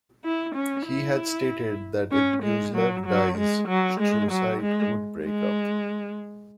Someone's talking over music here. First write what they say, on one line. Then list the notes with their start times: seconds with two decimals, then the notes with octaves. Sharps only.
He had stated that if Gyuzelev dies, Shturcite would break up.
0.25 E4
0.55 C#4
0.87 E4
2.12 C#4
2.43 G#3
2.75 F#3
3.06 F#3
3.37 G#3
3.68 F#3
4.00 G#3
4.31 F#3
4.62 G#3
5.25 G#3